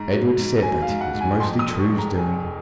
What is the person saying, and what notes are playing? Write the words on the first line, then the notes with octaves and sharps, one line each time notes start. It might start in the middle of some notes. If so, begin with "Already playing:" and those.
Edred said that it was mostly True's doing.
Already playing: G#2 A#5
F#3
G#2
F#3 G#5
F5
G#2
F#5
G#2
G#5
F2 C6
D#6
F1
C#6
G#3
A#5
F1 G#5